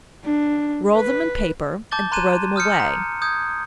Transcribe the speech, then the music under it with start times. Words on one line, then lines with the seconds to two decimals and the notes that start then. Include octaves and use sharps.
Roll them in paper and throw them away.
0.24 D4
0.95 B4
1.91 A5 D6 G6 A6 G7
2.12 A#5 C6 F#6 G#6 D#7 E7
2.56 D#6 F6 G6 C#7
2.80 A#5
3.22 D#6 G6 G#6